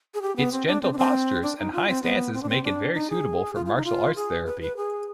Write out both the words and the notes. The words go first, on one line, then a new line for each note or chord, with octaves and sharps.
Its gentle postures and high stances make it very suitable for martial arts therapy.
G#4
G4
B3
C4
D4
C4
D4
C4
D4
D#4
F4
C4
B3
C4
D4
C4
D4
D#4
G#4
F4
F4
D#4
F4
G#4
B4
B4
G#4